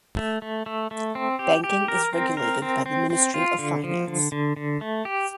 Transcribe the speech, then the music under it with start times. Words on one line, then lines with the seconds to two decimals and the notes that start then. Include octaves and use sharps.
Banking is regulated by the Ministry of Finance.
0.17 A3
0.42 A3
0.66 A3
0.91 A3
1.15 C4
1.39 G4
1.64 G4
1.88 A#4
2.13 C4
2.37 A#4
2.62 C4
2.86 C4
3.10 C4
3.34 F4
3.59 D3
3.84 F3
4.07 D3
4.32 D3
4.56 D3
4.81 A3
5.05 G4